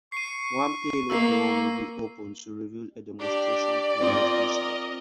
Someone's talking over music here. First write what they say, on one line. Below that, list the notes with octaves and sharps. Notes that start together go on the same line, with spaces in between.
One payload door will be open to reveal a demonstration payload inside.
C#6 C7 D#7
A#3 E6 C7
D4 G4 D5
C4 F4 A#4 D#5